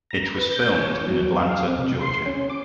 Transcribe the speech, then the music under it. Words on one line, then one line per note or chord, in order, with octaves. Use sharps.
It was filmed in Atlanta, Georgia.
A#5
B4
G6
C#5
F#3
F5
C4
C3
C6
C#4
D6